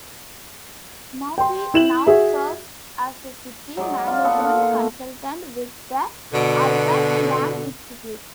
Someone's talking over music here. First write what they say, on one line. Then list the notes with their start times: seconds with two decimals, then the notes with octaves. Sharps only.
Murphy now serves as a city management consultant with the Urban Land Institute.
1.38 G5 C6
1.74 E4 E7 F#7
2.07 F#4 G#4 E5
3.77 F#3 G#3 D#4 D5
4.07 F4 F#4
4.24 A#3 B3 A4 F#5
4.38 F4 F#5 C6
4.57 F#5 C6
4.72 A#2 A3 B3
6.33 B2 D3